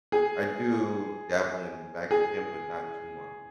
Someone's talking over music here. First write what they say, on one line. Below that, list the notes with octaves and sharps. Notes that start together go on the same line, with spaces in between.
I do dabble in Mexican, but not too much.
G#4
G#4